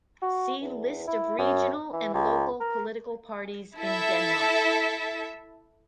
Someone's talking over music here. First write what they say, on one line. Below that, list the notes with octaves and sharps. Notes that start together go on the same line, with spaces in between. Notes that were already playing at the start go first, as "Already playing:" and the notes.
See List of regional and local political parties in Denmark.
F#4
E2
E4
F#2
E3
C#2
A#4
E4 A4 E5